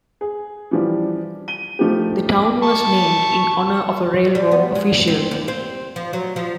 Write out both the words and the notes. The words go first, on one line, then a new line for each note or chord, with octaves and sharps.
The town was named in honor of a railroad official.
G#4
E3 F3 G3
D#7 G7
F3 A3 D#4 G4
A5 C#6
G3
B3
G#3
C4
D#2
C4
F3
F#3
F3